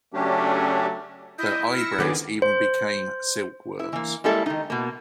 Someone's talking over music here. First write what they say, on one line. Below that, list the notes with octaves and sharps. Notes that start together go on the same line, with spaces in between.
Her eyebrows even became silkworms.
C#3 F#3 A3 C#4 D4 G4
E4 D#5 G6
E6 F6 A#6 C#7
D3 D#3 B3 C#4 G#4 D6
C5
E4
E3 A#3
G3 G#3 A#3 E4 A4 E5
D#3 D#4
B2 A#3